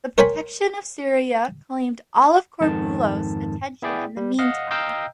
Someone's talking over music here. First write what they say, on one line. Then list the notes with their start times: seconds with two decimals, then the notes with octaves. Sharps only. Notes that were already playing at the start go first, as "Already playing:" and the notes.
The protection of Syria claimed all of Corbulo's attention in the meantime.
0.18 A#4 C5 C#5 G5 G#5 B5
2.61 F2 G#2 D#3 A5
3.82 B3 E4 G#4 D5 G5
4.17 G3
4.39 D#5 F5 F#5
4.71 D#5 F5 G5 A#5 E6 G6